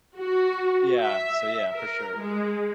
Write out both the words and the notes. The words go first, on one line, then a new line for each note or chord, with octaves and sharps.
Yeah, so, yeah, for sure.
F#4
E5
A#4
G#3